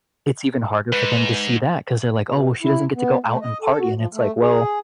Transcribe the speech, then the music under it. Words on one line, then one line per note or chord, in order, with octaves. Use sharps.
it's even harder for them to see that 'cause they're like, "Oh, she doesn't get to go out and party." And it's like, "Well,
G#2 B4
B2
E4
B3
A3
D#5
A4
F#4
F3
A3
G#4